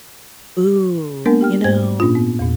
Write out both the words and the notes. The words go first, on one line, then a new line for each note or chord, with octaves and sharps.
Ooh, you know,
G#3 A#3 B3 D4 A#4
G4 G5 F6
G#2 A3 C5 G#5 G#6
A#2 A#3 C#4 D4 F4
B3
E2 A#2